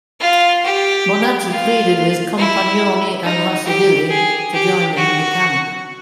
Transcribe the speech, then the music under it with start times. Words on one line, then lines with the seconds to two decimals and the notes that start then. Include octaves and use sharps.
Bonatti pleaded with Compagnoni and Lacedilli to join them in the camp.
0.20 F4
0.64 G4
1.50 F4
2.37 E4
3.23 D#4
3.66 G4
4.09 G#4
4.52 G4
4.96 F#4